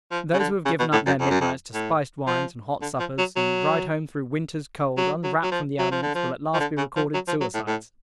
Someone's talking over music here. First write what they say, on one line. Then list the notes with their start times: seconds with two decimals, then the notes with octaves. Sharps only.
Those who have given up their midnights to spiced wines, and hot suppers, and ride home through winter's cold, unwrapped from the elements, will at last be recorded suicides.
0.11 F3
0.33 C#3
0.39 D3
0.65 C#3
0.79 B2
0.93 A2
1.06 F#2
1.20 F2
1.30 F#2
1.41 F2
1.74 A2
2.27 F3
2.82 D3
2.99 F3
3.18 F#3
3.36 F#3
4.97 F#3
5.23 F#3
5.43 F#3
5.51 F3
5.79 F#3
5.91 F3
6.02 D3
6.15 F3
6.54 F3
6.60 D3
6.77 C#3
6.96 F3
7.14 F#3
7.28 F3
7.41 F#3
7.54 A2
7.67 A2